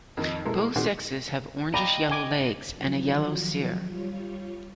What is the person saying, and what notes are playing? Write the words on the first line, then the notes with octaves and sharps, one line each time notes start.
Both sexes have orangish-yellow legs and a yellow cere.
F2 D#3 D#4
B2 G#3 E4 A4 A#4
A#2 D#3 C4 F#4 G#4
D5 D#5 F5 G5 A#5 B5
G#5 D6
D#3 F3 F#3
G3 F4 C#5